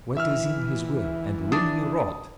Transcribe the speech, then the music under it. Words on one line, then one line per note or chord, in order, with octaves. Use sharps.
What is in his will, and when he wrote?'
E3 E5 E6 F6
D4 D#6